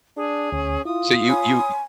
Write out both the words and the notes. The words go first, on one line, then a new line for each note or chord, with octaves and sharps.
so you you y
D4 G#4
D2 C#4
E4 F4 D#6
C#5 G#5 B5 C6